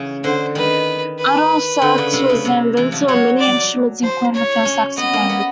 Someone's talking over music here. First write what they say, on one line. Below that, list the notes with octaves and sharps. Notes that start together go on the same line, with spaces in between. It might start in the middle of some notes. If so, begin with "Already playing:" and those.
Adolph Sax was the inventor of many instruments including the first saxophones.
Already playing: C#3 E3
D3 C5
D#3 B4
B4
D3
C#3
C3
C#3
C3
E3
F3
F#3 C#5
D5
C5
C#5
C#4
B3 D#5
A#3
B3